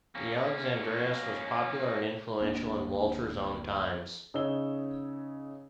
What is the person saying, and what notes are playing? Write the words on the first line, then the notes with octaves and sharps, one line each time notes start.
The "Alexandreis" was popular and influential in Walter's own times.
A#3 C#4
D1 A#3 D4
C#3 D#4 C#5 E6 G7